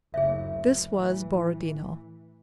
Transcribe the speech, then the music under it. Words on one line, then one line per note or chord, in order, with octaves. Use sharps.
This was Borodino.
F#1 D2 G#4 C#5 E5
A2 E3